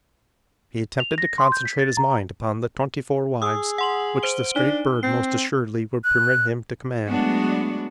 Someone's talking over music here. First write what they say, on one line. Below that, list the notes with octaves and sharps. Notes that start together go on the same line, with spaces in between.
He attempted to concentrate his mind upon the twenty-four wives which this great bird most assuredly would permit him to command.
F7
A#6
C6
G6
B6
A6
A#5
G#4 D#6 E6
F#5 C6 F#7
C5 D7 G7
D4 D#4 G7
C4 C7
F#6
F#3 G#3 A3 B3 D4 F#4